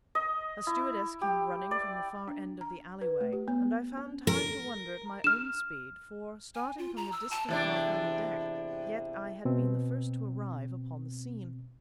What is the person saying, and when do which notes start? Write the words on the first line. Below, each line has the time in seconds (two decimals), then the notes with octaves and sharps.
A stewardess came running from the far end of the alleyway, and I found time to wonder at my own speed; for, starting from the distant Marconi deck, yet I had been the first to arrive upon the scene.
0.15 D#5
0.67 E4
1.21 G4
1.71 D5
2.28 D4
2.61 A#5
3.01 B4
3.21 A3
3.33 G4
3.48 B3
3.97 C#4
4.27 A#4
5.24 F6 E7
6.55 G#5
6.78 F4
6.97 A#5
7.12 E6
7.31 A5
7.49 E2 C3 D4
9.45 B2 C4